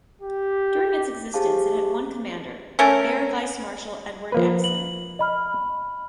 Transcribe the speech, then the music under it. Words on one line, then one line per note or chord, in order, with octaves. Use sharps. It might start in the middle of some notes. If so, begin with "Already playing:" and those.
During its existence it had one commander, Air Vice-Marshal Edward Addison.
G4
G4 G#4 C5 F5 A5 D6
A3 C#4 A#4
F3 A#3 B4
F#7
D#5 B5 F6